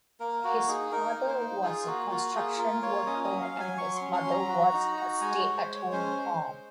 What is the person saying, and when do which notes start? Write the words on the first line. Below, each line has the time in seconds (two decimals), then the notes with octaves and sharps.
His father was a construction worker and his mother was a stay-at-home mom.
0.20 A#3 A#4
0.44 A#3 F#4
0.68 D#4 G#4
0.92 D#4 A#4
1.15 A#3
1.27 C5
1.40 D#4
1.63 F4 G#4
1.87 A#3 F#4
2.11 F4 F#4
2.35 A#3 G#4
2.58 F4 A#4
2.82 A#3 C#5
3.06 C#4 D#5
3.24 D#5
3.30 F#3
3.42 F5
3.54 F#3
3.60 G#5
3.78 F#3 C#6
3.96 C6
4.01 C#4
4.13 C6
4.25 F#3
4.31 A#5
4.49 F#4
4.73 D#4
4.97 F#4
5.21 G#3 G#5
5.39 C#5
5.45 G#3
5.57 C5
5.69 G#3
5.75 C#5
5.92 C#4 C5
6.16 G#3
6.40 G#3